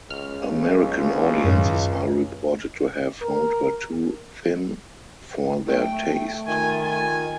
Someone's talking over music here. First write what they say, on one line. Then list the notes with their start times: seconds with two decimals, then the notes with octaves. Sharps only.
American audiences are reported to have found her too thin for their taste.
0.10 C#2 F6
1.44 F#2 A2 D#3
3.22 A#4
5.68 A3 G5
6.47 D#3 F4 G#5
6.84 G#5